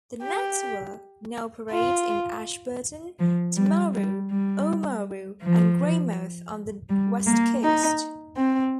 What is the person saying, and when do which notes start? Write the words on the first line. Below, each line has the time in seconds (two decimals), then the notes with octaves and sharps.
The network now operates in Ashburton, Timaru, Oamaru and Greymouth on the West Coast.
0.22 G4
1.71 F4
3.19 F3
3.56 G3
3.93 G3
4.30 G3
5.41 F3
6.89 G3
7.26 A#3
7.63 D#4
8.37 C4